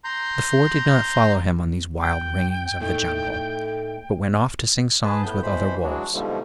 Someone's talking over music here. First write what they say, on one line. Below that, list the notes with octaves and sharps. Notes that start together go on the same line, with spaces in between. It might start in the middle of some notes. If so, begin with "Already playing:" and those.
The Four did not follow him on these wild ringings of the Jungle, but went off to sing songs with other wolves.
A#5 C6 G6
G5
A2 A3 D#4
G#4 B4 A5
A2 B3 G6
B2 E3 C5 B5
E3 F#3 G#3 D4 F#4
G#2 B2 D3 F3 G3 A3